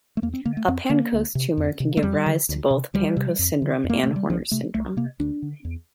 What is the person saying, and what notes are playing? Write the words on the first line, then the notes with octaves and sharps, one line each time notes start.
A Pancoast tumor can give rise to both Pancoast syndrome and Horner's syndrome.
A3
E2 A#3
C4
D3 A#3
A3
F2 C4
D3 A#3
D2
C3
F2
C3
A3
F2 G3
D3
D2
C3
D2 G3
C3
F2
D3
F2
A#3
C3 A3
G3
C2 F3
C3 A3
C2 A3
C3 A#3
D2 D4
D3
E2